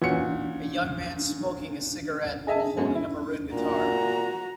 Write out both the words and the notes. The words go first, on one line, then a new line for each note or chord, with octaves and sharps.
A young man is smoking a cigarette while holding a maroon guitar.
A#2 E3 C#4 F#4 C#7
G#4 D#5 E5 G#5 A5
F#2 G#3 B3 C#4
E4
A#2 F#4 A#5